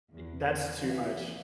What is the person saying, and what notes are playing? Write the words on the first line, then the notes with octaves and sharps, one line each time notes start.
I that's too much.
E2
E3